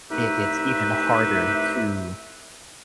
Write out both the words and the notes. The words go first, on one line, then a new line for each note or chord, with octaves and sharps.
it it's even harder to,
C2 A3 D#4 G4 B4 E5